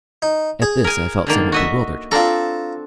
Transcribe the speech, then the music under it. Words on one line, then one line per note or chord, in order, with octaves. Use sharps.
At this I felt somewhat bewildered.
D#4
G#4
A#4 G#5
D3 D#3 A#3
F#4 D#5 E5
C4 D4 F4 A4 A#5